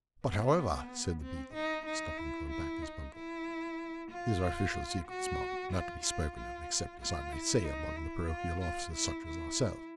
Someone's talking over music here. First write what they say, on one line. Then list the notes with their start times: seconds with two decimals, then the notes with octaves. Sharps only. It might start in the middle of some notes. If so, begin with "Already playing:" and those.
But, however,' said the beadle, stopping to unpack his bundle, 'these are official secrets, ma'am; not to be spoken of; except, as I may say, among the porochial officers, such as ourselves.
0.25 B3
1.21 C4
1.54 D#4
1.86 D#4
2.18 E4
2.50 E4
2.82 D#4
3.15 E4
4.11 F4
5.07 F#4
5.72 F4
6.03 F4
6.36 F4
7.00 F4
7.32 E4
7.64 D#4
7.96 E4
8.28 F4
8.60 F4
8.93 E4
9.25 E4